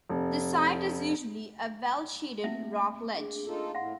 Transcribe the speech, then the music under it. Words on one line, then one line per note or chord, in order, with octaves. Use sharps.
The site is usually a well-shaded rock ledge.
F1
A3 A#3 C4 E5
D4 G#4
D#4 F4 A4
A2 F5 F#5 C6